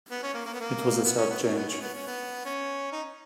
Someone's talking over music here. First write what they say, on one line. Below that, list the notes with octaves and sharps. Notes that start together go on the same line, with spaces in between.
It was a sad change.
B3
C#4
A#3
A#3
B3
A#3
B3
C#4
B3
C#4
B3
C#4
B3
C#4
B3
C#4
D#4